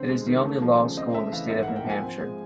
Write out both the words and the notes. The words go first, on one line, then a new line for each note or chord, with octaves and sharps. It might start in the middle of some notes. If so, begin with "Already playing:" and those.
It is the only law school in the state of New Hampshire.
Already playing: D3 C4
G#3
D#3
A3
F3
C#3
C4 D#5
A3 E5
E3 F5
G#2 E5
F#5
A#3
G5
F3
G#5
C4
G#3